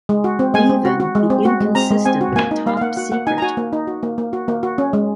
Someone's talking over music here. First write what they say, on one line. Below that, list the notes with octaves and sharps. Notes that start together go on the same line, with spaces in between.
Even the inconsistent Top Secret!
G#3
F#4
C4
G#3 G#5
C4
F#4
F#4
G#3
C4
F#4
G#3
C4 A#5
G#3
C4 G#5
F#4
A#3 G#5
D#4
A#3 F5
F5
A#3 F#5
F#4 F#5
A#3 F#5
D#4 G#5
A#5
F#4 G#5
A#3
D#4
F#4
A#3
A#3
F#4
A#3
F#4
C#4
G#3